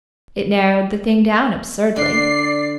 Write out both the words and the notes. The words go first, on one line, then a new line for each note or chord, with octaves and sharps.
It narrowed the thing down absurdly.
D3 D5 C7